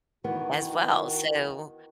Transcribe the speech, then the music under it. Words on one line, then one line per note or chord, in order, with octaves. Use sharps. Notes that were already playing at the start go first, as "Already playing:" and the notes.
as well, so
D#3 E3 B3 F#4